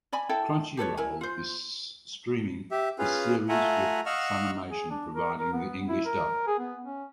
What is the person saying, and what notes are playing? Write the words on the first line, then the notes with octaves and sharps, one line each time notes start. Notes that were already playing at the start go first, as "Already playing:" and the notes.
Crunchyroll is streaming the series with Funimation providing the English dub.
D5 G#5 B5
E4 A4 G5
G4 A4 B4 C#5
E4 A#4 G#5
F4 C5
G4 E5
C#4 F4 G#4 B4 F5
A3 F4 E5 F#5 G#5 A#5
D#5 F5 F#5 C#6 E6 F6
G#4
D4
A#4
A#4
B3
E4
A#4
G#4
B3
C#4